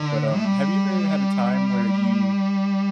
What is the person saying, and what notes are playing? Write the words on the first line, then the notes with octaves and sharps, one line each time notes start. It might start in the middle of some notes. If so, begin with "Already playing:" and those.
But, um, have you ever had a time where you,
Already playing: D3
A3
G3